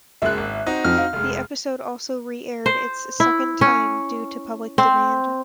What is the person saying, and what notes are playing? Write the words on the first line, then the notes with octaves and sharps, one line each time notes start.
The episode also re-aired its second time due to public demand.
F#1 G#3 E5 F#6
G#1
C4 D#4 F#4
F2 F6
F5
F1 G#3
C5
E4
C#4
C4